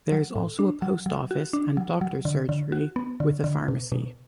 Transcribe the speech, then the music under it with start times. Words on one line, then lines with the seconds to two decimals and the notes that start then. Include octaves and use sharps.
There is also a post office and doctors' surgery with a pharmacy.
0.12 F#3
0.35 A2
0.59 D4
0.82 F#3
1.06 F#3
1.31 F#4
1.53 D4
1.77 F#3
2.01 F#3
2.25 D3
2.49 D3
2.72 F#4
2.96 B3
3.20 D3
3.44 D3
3.68 B2
3.92 B2